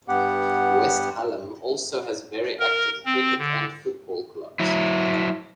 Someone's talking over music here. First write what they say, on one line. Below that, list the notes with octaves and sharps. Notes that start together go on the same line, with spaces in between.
West Hallam also has very active Cricket and Football Clubs.
G2 B3 G4 F#5
A#4
C4
D3
F#3 E4